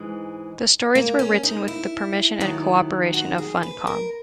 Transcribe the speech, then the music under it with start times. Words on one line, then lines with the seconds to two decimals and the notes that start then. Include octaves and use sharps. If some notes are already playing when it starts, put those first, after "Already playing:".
The stories were written with the permission and cooperation of Funcom.
Already playing: G#2 E3 G#3
0.95 A#3
1.19 C#4
1.43 D#4
1.68 E4
2.41 D#2 D#3 F#3
3.14 F#4
3.38 G#4
3.63 B4
3.87 A#4